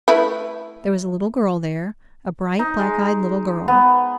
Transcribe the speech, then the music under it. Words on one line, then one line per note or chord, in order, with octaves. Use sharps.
There was a little girl there; a bright, black-eyed little girl.
A3 E4 B4
D#4
G#3
B3